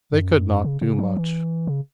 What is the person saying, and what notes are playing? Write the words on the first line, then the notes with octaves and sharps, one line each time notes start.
They could not do much.
F#2
C#3
C#3
F#3
E3
C#3